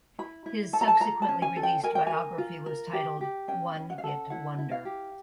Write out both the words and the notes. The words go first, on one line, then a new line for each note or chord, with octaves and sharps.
His subsequently released biography was titled "One-Hit Wonder".
E4 B5
E4
A4 A5
A#5
A5
F4 A#5
A5
C#4
G#5
A4
G5
A#4 G#5
G5
A#4 G#5
F4
A#4
G4
G4
C#4 G5
C#4
F#5
F5
A4 F#5
E4 F#5
E4
F5
G4